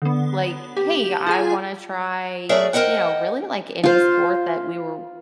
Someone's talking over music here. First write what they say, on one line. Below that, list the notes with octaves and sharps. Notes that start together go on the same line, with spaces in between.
like, "Hey, I wanna try" you know, really, like, any sport that we were
D3 B3
G4
F4 G#4 G#5
F#3 A3 G#4 A#4 D5 E5
A#4 C5 D#5 F#5 G5
F4 C5